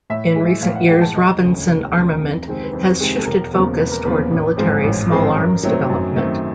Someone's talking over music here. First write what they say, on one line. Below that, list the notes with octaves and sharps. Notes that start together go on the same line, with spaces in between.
In recent years Robinson Armament has shifted focus toward military small arms development.
A2 E5
E3 G#3
A2 F5
F#5
E3 G#3 G5
A5
E1 D#5
D2 C#3
E1
D2 C#3
F2
C3 D#3 G#3 C4
B4
F2 C5
C3 D#3 G#3 C4
A4
E1 A#4
E2 C#3 F3 A#3
E1 B4
A#4
E2 C#3 F3 A#3 B4
A1
G#2 F3 G#3 C4
A1
G#2 F3 G#3 C4
F#2 A#4
D#3 F#3 A3 C4
F#2
D#3 F#3 A3 C4